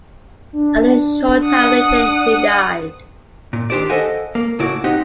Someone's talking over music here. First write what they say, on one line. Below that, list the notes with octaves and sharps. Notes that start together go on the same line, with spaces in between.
Only a short time later he died.
D4
F#5 D#6
A#2
D#3 D4 G4 C5 D5
A4 C5 D#5 F5 F#5 G#5
A#3
A2 C#3 E4 F#4 D5
C3 C4 D#4 G4 D#5 F#5